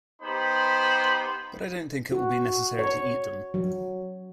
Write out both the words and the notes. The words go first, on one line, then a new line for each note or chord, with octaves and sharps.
But I don’t think it will be necessary to eat them.
B3 D#4 G4 C5 B5
F#4
C#5
F#3